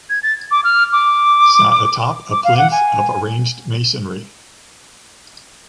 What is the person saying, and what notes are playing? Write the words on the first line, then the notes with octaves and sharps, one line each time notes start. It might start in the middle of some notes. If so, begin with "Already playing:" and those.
Sat atop a plinth of arranged masonry.
G#6
A6
D6
F6
D6
D6
F5
F#5
G#5